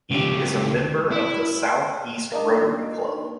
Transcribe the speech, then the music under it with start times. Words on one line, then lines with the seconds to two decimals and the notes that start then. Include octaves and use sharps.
He is a member of the South East Rotary Club.
0.11 C#2 G4
1.11 E4
2.32 A#3 D4 D#4